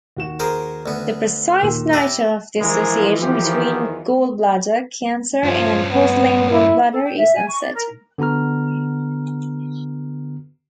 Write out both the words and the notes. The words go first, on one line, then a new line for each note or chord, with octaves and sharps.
The precise nature of the association between gallbladder cancer and porcelain gallbladder is uncertain.
D#2 F#4 E7
G#4 A#4 C5
D2 B3
D#2 A#2 E6
E4 G4 A#6 D#7 E7
A#1 E3 F3 G#3 G#4 A#4
E2 D#3 G4
G2 F3 C#4
B3
E4
A4
G5
E5
G#5
C#6
D5
A#4
D3 B3 F#4 A#5 F6